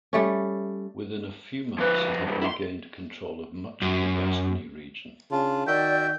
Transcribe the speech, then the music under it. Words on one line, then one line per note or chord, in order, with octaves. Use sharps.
Within a few months, he had regained control of much of the Gascony region.
G3 A3 C#4
F3 B4
C2 G2
E4 C6
F#2
C#3 D4 F4
D#3 F#4 D5 E5 G5 G6